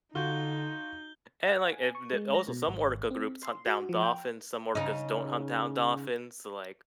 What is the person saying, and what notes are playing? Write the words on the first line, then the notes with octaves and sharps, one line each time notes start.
and, like, eh, d also some orca groups hunt down dolphins, some orcas don't hunt down dolphins, so, like
D3 D#4 F4 F#4 G6 G7
F#5
G#5
C#6
G#3
A#6
B2
G#1
C4
C6
F#4
F3
G5
C#3 D#4